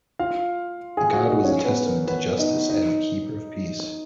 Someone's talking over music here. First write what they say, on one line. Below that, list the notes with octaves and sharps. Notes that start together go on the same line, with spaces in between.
The god was a testament to justice and a keeper of peace.
F4 F5
G#4 G#5
F#4 F#5
D#4 D#5
C#4 C#5
B3 B4
A#4
B3 B4
D#4 D#5
D#4 D#5